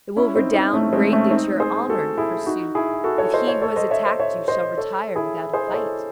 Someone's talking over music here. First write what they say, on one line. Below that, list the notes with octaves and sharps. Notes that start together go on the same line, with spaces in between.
It will redound greatly to your honour, forsooth, if he who has attacked you shall retire without a fight!
C#4 E4
C4 D#4
C4 D#4
A3 C#4
G#3 C4
A3 C#4
C4 D#4
G#4 C5
F#4 A4
E4 G#4
D#4 F#4
E4 G#4
F#4 A4
A4 C#5
C5 D#5
A4 C#5
A4 C#5
C5 D#5
C#5 E5
C5 D#5
C#5 E5
C5 D#5
A4 C#5
E4 G#4
G#4 C5
D#5
A4 C#5